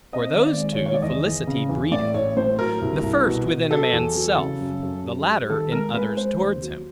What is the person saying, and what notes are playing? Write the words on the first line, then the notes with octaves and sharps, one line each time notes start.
For those two, Felicity breedeth; the first within a man's self, the latter in others towards him.
C4 D#5
D#3
D5
G#3
C#5
D#3
C#5
D5
E2 D#5
E2
C#3
E2
A2 D5
A1 C#5
A2 C5
F#3 A#4
C2
C2
B2
B2
F#3 A4
E2
F#3
C#3
F#2
F#2
G3
G3
D#3 A4
G#3 A#4
G#3 B4
G#3 C5
D#2
F#3